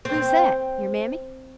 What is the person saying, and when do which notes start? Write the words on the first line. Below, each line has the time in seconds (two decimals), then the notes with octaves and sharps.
"Who's that--your Mammy?"
0.05 C4